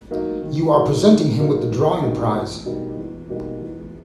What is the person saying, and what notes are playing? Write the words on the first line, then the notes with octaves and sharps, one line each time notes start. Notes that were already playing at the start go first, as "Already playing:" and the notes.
You are presenting him with the drawing prize.
F#3 A#3 D#4
D#3
F#3 A#3 D#4
D#3
F#3 A#3 D#4
E2
B2 G3 A#3 D#4
E2
B2 G3 A#3 D#4
E2
B2 G3 A#3 D#4
E2